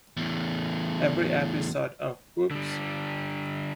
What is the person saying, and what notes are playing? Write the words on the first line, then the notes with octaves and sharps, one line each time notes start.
Every episode of Woops!
E2 A2
D3 G3